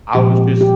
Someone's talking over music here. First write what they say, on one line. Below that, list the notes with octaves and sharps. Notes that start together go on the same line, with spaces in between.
I was just
A#2 F3 G#3 C4 G4
G4